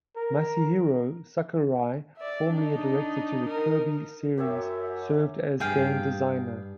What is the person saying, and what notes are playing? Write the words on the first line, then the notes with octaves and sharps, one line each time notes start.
Masahiro Sakurai, formerly a director to the "Kirby" series, served as game designer.
A#4
D5 E5
D4 D#4
D#4 A#4
F#2 G4 C#5 E5
D2 G2 G#4 F5 G5